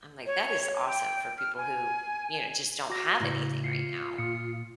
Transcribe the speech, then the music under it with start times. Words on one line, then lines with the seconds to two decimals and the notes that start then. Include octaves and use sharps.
I'm like, "That is awesome for people who, you know, just don't have anything right now.
0.26 C#5
0.87 G5
1.38 F6
1.57 G#5
2.90 F#4 D6 A#6
3.20 A2 C#3 E4
3.64 F4 C7 C#7
4.18 A#2 D#6 C#7